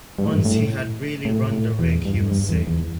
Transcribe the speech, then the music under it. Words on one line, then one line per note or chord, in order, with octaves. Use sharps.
Once he had really run the rig he was safe.
G2
A2
G2
A2
A2
A2
E2
G2
G2
E2
E2